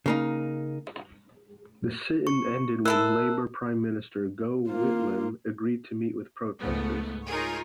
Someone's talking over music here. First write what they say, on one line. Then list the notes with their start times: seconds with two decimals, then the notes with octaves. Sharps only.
The sit-in ended when Labor Prime Minister Gough Whitlam agreed to meet with protesters.
0.06 C#3 A#3 D#4
2.27 C#6
2.85 G#3 E4 A4 A#4 E6 F#6
4.69 A#3 F4
6.61 C#2 G#2 A3 B3
7.26 D#4 F4 G#4 A#4 C#5